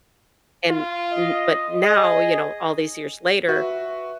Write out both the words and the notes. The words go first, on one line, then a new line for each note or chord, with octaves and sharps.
And n but now, you know, all these years later,
F4
D#5
G#4 D#5
F#4 B4 E5